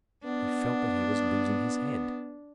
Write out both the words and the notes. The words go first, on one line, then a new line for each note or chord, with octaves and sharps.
He felt that he was losing his head.
B3 D4